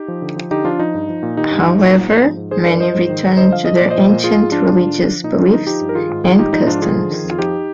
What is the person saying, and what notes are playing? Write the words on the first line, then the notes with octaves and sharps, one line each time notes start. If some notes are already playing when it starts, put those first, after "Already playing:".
However, many returned to their ancient religious beliefs and customs.
Already playing: D#4 G4
F3
D3
F3
D3 D#4 G4
F3 D4 F4
F3 D#4
G2
F3
A#2
D#3 D#4 G4
G2
F3
A#2
F3
G#2
F3
G#2
D#3 G#4 C5
G2 A#4 D5
F3 C5 D#5
G#2
D#3
G#2
D3 C5 D#5
F3 F5
F3 D#5
A#2 D5
F3 C5 D#5
A#2
F3 F4 G#4
G#2
F3 D4 F4
G#2
D3
F3
F3
A#2 D#4
D3 D4 F4
F3 D#4
F3 D#4 G4
G2
A#4
D#3 F4 G#4
G#2
D#3 F4 G#4
G#2 D#4 G4
F3 D#4
G#2 D4 F4
D3 F4 G#4
F3
D#3
F2
F4
F3 D#4 G4